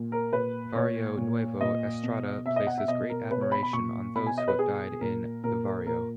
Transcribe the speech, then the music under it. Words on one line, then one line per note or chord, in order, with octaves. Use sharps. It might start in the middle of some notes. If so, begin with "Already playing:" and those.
Varrio Nuevo Estrada places great admiration on those that have died in the Varrio.
Already playing: A#2
A#4
A#2 B4
A#2 C#5
A#2
A#2 D#5
B2
B2 E5
D#5
F#5
E5
B2 D#5
A#4
B2 B4
C#5
B5
B5
A#2 C#6
B2 B5
G#5
D#5
B4
B2 G#4
A#2 A#4
A#2 A#4
A#4
A#2 A#4